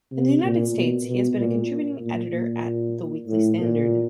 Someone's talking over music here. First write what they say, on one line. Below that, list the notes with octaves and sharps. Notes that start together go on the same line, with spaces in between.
In the United States, he has been a contributing editor at "The Weekly Standard".
C3
A#2
B2
B2
A#2
A#2
A#2
A2
A#2